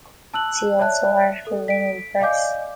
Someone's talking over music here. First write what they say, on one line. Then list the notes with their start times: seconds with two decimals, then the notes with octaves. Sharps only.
"See also article linen-press".
0.34 A5 E6 F#6 F#7
0.79 C#5 D5 E5 A5 F#6
1.47 A4
1.68 B6 D7
2.20 D5 D#5 F5 G#5 D6 G6